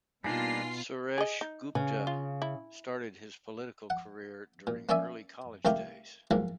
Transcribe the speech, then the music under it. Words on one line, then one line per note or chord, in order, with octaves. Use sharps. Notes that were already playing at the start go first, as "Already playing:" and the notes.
Suresh Gupta started his political career during early college days.
B2 G3 A#3 D4 D#4 F4 G#5 C7
G#4 D#5
D#4
C#3 B4
F4
E4
F#5
A#2
A#3 C#4 D5 E5 G#5
C2 D#3 A3 G4 F5 A#5
B1 G#2 D#3 F3 A#3